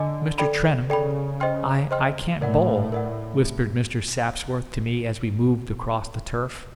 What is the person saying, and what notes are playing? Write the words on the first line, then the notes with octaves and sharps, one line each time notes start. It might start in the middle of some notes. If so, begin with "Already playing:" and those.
"Mr. Trentham, I--I can't bowl," whispered Mr. Sapsworth to me as we moved across the turf.
Already playing: D3 D#5 G#5 D6
A4 D5 G5 B5
C#3 A4 D5 G5 B5
C5 D#5 G5 C6 F6
C5 D#5 G5 C6 F6
A2 A#4 D5 F#5
A#4 D5 F#5